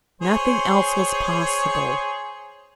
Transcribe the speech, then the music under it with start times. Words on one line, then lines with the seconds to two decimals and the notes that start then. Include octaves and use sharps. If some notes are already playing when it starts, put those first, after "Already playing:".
Nothing else was possible.
0.22 G#4 C5 C#5